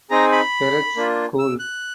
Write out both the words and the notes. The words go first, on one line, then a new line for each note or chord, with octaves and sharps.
Peretz School.
C4 D#4 G#4 A#5
B5
A#3 D4 F4
E6
F#6